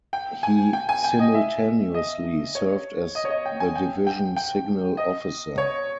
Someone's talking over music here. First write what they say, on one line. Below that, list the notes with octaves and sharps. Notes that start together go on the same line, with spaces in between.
He simultaneously served as the Division Signal Officer.
G5
G#5
G5
G#5
G5
D#5
E5
D#5
C#5
D#5
C#5
D#5
G5
G#5
G5
G5
G5
D#5
C#5